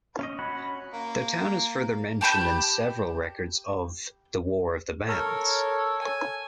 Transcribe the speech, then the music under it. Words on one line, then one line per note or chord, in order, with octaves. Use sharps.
The town is further mentioned in several records of the War of the Bands.
C#4 D#5
C#4 F#4 C#5 B5 F#6
A#3
G4 A5 B5 G6
A4 A#4 C#5
G#5